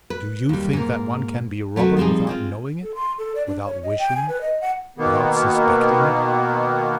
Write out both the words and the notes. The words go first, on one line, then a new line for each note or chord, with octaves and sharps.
Do you think that one can be a robber without knowing it, without wishing it, without suspecting it?
B4
D#2 G3
G#2 A#3
F#3 A3 C4 F#4 B4
F3 G3 C4 D#4 G#4
G#3 C4 F4
A4
C6
A4
D5
D4
C#5
D#5
G5
G#5
B4
D#5
F#5
B2 D#3 A#3 B3